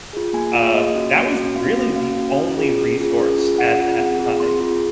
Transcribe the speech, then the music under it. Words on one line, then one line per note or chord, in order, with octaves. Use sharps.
um, that was really the only resource at that time
F4 G#4
A#3 G#5
F4 G#4 F5
A#3 D#5
C#4 F#4
A#3
C#4 F#4
A#3 F5
C#4 F#4
A#3 F5
C#4 F#4
C#4
F4 G#4
C#4
F4 G#4
C#4
F4 G#4
C#4 F#5
F4 G#4
C4 F#5
F4 G#4
C4 C6
F4 G#4